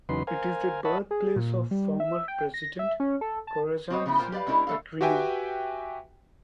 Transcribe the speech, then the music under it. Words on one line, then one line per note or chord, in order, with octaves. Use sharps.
It is the birthplace of former President Corazon C. Aquino.
E2 C#3 F#3 D#4 B4 C6
A#4 C5 F5 G#5
C#5 D#5 E5 F#5 A5 B5
G#4
A#2
G3
E5
G5
A#6
E5
C#4
A4
A5
C4 F#4 C5 C#5 D#5
C#3 F3 B3 D#4 E4
A#2 F4 A#4 C5 G5
G4 B4 D5 D#5 F5
G#3 C#4 D4 E4 G4 A#4
A3 A4 F5
F#4 G4 B4 E5 G5 G#5